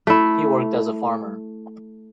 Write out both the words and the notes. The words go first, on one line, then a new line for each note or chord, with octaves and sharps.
He worked as a farmer.
A3 E4